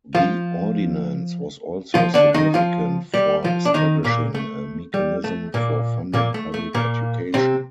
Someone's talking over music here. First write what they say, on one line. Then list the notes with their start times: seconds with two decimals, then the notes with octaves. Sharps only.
The ordinance was also significant for establishing a mechanism for funding public education.
0.15 F3 F4
1.94 F3 F4
2.14 D3 D4
2.34 D#3 D#4
2.54 F3 F4
3.14 G3 G4
3.44 F3 F4
3.65 D4
3.74 D#3 D#4
4.04 A#2 A#3
4.35 A3
4.94 G3
5.24 A3
5.54 A#2 A#3
6.14 A#2 A#3
6.34 A3
6.54 A3
6.74 A#2 A#3
7.34 C3 C4